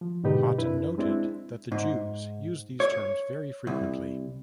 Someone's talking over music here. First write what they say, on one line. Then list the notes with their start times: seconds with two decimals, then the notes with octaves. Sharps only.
Hotten noted that The Jews use these terms very frequently.
0.01 F3
0.24 G#2 B2 D3 D#4 G4 B4
0.58 F#2 D4 E4 B4
0.98 G#3 C4 D4 E4
1.72 G#2
2.80 C#5
3.67 C2